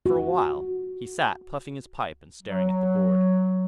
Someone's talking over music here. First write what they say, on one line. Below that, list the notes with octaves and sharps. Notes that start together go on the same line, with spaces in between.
For a while, he sat puffing his pipe and staring at the board.
F#4
F#3